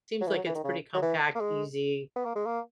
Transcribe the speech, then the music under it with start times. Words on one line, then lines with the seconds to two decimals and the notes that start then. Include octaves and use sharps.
seems like it's pretty compact, easy,
0.21 F#3
0.27 E3
0.36 F#3
0.46 E3
0.55 D#3
0.64 C#3
0.94 F#3
1.02 E3
1.35 A#3
1.40 G#3
2.16 B3
2.25 A#3
2.36 G#3
2.46 A#3